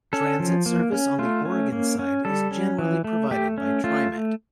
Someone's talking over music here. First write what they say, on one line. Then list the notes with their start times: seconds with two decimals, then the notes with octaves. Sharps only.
Transit service on the Oregon side is generally provided by TriMet.
0.13 C#4 A4
0.40 F3
0.66 A#3
0.92 C#4
1.19 A3 F4
1.45 C#4
1.72 A#3
1.99 C#4
2.25 G3 A4
2.51 C#4
2.79 E3
3.04 A3
3.31 A3 G4
3.58 C#4
3.84 A3 F4